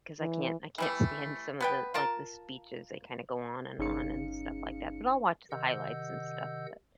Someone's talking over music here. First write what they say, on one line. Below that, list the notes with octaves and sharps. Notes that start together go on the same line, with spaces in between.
'cause I can't I can't stand some of the, like, the speeches. They kinda go on and on and stuff like that. But I'll watch the highlights and stuff, but,
E3
E3 G3 A3
B3 B4 G5
F4 A#4 A5 A#5
G1 C#4 D#4 G#4 F5 C#7
C3 D#3 D#5 F#5 E6 G6